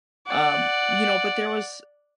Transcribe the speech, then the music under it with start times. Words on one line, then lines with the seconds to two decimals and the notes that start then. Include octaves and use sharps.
um, you know? But there was,
0.27 D5 F#5